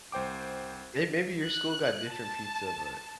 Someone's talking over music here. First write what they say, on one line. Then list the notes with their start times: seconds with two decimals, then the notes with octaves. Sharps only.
And maybe your school got different pizza, but
0.12 C2 C5 G5 D6
1.46 F#6
2.11 A5